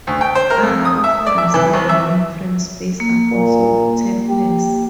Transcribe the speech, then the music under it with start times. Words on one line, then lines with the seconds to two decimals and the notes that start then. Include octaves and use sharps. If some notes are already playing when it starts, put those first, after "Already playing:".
Other offerings in the mainframe space are also "tapeless".
0.07 D2
0.21 G5
0.35 C5
0.50 A#4
0.63 F2
0.85 D#6
1.04 E5
1.26 D5
1.38 E5
1.54 E3
1.73 C2
1.89 E5
3.00 A#3
3.32 A#2
4.29 G4